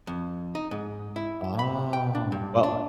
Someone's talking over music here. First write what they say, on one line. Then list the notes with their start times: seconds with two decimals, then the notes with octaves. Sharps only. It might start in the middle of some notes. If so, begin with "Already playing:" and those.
Oh, well
0.07 F2
0.55 D#4
0.71 G#2
1.16 E4
1.59 B5
1.93 G5
2.15 D4
2.32 G2
2.63 D4